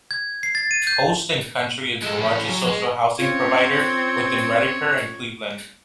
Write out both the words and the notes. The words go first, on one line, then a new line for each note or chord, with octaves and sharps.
Coast and Country is the largest social housing provider within Redcar and Cleveland.
G#6
C7
A6
D#7
G6
G#3 A4
A2 C#4
F#3
G#3
C4 C#4 F4 C#5